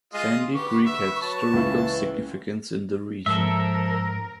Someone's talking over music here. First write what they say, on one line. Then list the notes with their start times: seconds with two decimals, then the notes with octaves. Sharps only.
Sandy Creek has historical significance in the region.
0.14 G#3 F4 D#5
0.53 D3 G4 B4 C#6
0.87 E5
1.22 F#3 A5
1.53 C#2 E3 F4
3.26 G#2 F3 A4 A#4 E5